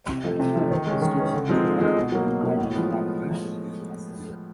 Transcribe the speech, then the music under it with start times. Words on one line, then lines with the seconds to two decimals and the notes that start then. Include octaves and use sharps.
This station will have an island platform.
0.09 C3
0.24 F3 A3
0.40 C3
0.56 F3 A3
0.71 D#3
0.86 G#3 C#4
1.02 D#3
1.18 G#3 C#4
1.33 D3
1.49 F3 G#3 C4 D#4
1.64 D3
1.80 F3 G#3 C4 D#4
1.96 B2
2.12 F#3 A#3
2.27 B2
2.43 F#3 A#3
2.59 A2
2.74 F3 G#3 B3